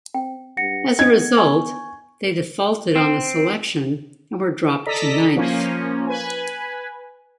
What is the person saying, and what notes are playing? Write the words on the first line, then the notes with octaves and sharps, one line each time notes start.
As a result, they defaulted on the selection and were dropped to ninth.
C4 G5
G2 F#5 A#6 C#7
B3 D4 D#5 G#6
G#5 C#6
C4
A4 D5 D#5 A#5 B6
F3 A#3 C#4
B4 G#5